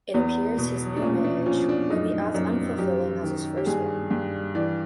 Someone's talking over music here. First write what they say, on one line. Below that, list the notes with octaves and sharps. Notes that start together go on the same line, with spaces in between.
It appears his new marriage will be as unfulfilling as his first one.
E2 B3
B2
D4
A#2 C#4
D4
F3 C#4
D4
F#2 D#4
F#2
F#2 G4
D#3
G4
G2 G#4
G2
E3 D5